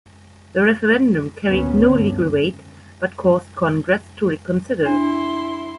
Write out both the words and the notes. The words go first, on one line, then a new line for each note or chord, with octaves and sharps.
The referendum carried no legal weight but caused Congress to reconsider.
G#1 D2 A#2 B3 C#4
G2 D3
D4 E4 C6